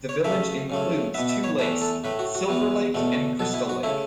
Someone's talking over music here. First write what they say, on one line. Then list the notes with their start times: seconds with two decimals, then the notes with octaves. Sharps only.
The village includes two lakes: Silver Lake and Crystal Lake.
0.09 C#5
0.24 F#2 C#3 A3 E5
0.70 F#2 C#3 A3
1.14 B2 B3 E5
1.29 E5
1.44 C#5
1.59 E2 E3 A3 B4
1.82 A4
2.04 A2 A3 B4
2.19 F#4
2.35 F#4
2.48 E2 E3 B3
2.94 E2 B2 A3
3.39 B2 B3 A4
3.54 E4
3.69 F#4
3.83 C#3 A3 E4